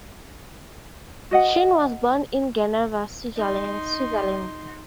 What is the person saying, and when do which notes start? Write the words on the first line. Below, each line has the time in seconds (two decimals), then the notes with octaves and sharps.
Chin was born in Geneva, Switzerland.
1.31 F#4 D#5 F#5
3.36 D#4 C6